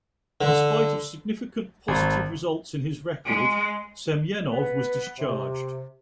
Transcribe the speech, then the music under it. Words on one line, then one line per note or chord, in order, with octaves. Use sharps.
In spite of significant positive results in his record, Semyonov was discharged.
D3
G#1
G#3
B3 B4
C3